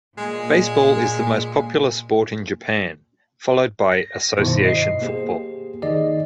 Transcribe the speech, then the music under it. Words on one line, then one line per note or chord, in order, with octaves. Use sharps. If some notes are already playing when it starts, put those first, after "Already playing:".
Baseball is the most popular sport in Japan, followed by association football.
A#2 G#3
A#6
G2 B2 D#3 E4 C5
D#5 C7
A#3 G4 G#4 C5
D#3 D#4 G#4 D5 D#5